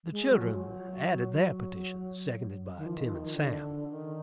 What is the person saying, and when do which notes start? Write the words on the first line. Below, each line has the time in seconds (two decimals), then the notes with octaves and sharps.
The children added their petitions, seconded by Tim and Sam.
0.11 G#3
0.30 F#3
0.41 F3
0.49 F#3
2.77 D#3
2.86 F3
2.96 D#3
3.06 F3
3.15 D#3
3.34 D3
3.90 D#3